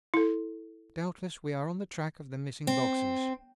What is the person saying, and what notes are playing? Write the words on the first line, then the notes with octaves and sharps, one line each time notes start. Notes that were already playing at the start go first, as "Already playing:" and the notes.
Doubtless we are on the track of the missing boxes.
E4 A4
C4